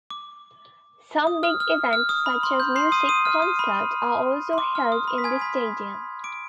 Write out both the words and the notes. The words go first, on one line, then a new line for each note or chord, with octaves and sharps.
Some big event such as music concert are also held in this stadium.
D6
D#6
F6
F6
F6
D#6
B5
C6
G6
C6 C7
D#6 D#7
D#6 D#7
F6
D#6
B5
C6
D6
F6
D#6
B5
B6
G#5 G#6
B5 B6
D6 D7